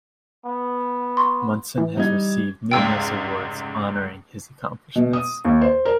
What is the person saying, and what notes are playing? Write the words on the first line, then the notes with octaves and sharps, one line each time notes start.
Munson has received numerous awards honoring his accomplishments.
B3
C6 C#6
E3
G3 D#4 G#6
F1 C#2 G#2 G5 E6
B2
D#6
D#2
C5
A#4